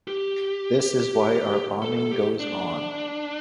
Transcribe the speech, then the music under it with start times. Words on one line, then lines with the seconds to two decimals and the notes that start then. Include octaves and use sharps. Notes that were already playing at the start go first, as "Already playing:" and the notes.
This is why our bombing goes on"".
0.08 G4
1.82 A4
1.97 A4
2.11 G4
2.40 D4